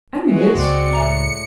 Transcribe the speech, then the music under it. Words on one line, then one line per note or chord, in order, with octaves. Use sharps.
"Oh, yes."
E3 G#3 F#4
C#2 C4 D5 C#7
A2 E5 G#5 A#5